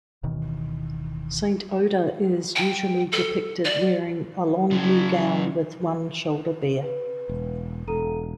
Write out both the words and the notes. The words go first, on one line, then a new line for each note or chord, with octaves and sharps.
Saint Oda is usually depicted wearing a long blue gown with one shoulder bare.
D1 B2 D#3 E3
G5
A4
D5
C#3 F#3
B4
E1
E1 A4 A#5 D#7